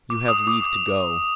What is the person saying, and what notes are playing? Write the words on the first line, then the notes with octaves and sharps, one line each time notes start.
You have leave to go....
D6
D#6
D6